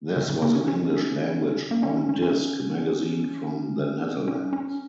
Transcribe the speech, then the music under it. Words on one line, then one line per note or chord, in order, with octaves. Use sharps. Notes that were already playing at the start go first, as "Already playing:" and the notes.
This was an English-language on-disk magazine from the Netherlands.
C#3
C#3
A#3
C#4
C#4
A#3
C#4
C#4
C#4
C#4
C#4
C#4